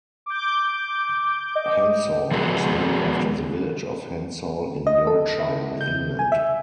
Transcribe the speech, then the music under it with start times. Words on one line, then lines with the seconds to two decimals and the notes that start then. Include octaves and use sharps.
Hensall is named after the village of Hensall in Yorkshire, England.
0.26 D6 G6
1.55 D#5
2.31 F3 G#3 B3 F#4 G#4
4.87 D#5
5.07 A4
5.40 E4
5.81 G6
6.19 G#5
6.32 E5